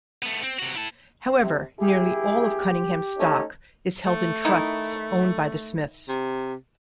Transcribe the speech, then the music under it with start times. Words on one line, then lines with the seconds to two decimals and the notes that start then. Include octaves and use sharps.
However, nearly all of Cunningham's stock is held in trusts owned by the Smiths.
0.23 A3 B3
0.43 C4
0.59 C3 F#4
0.75 E4 A5
1.39 C3
1.79 A#1 E4 G4 G#4
3.18 A3 C#4 D#4
4.06 A3
4.45 D#3 D#4 E4
6.08 C3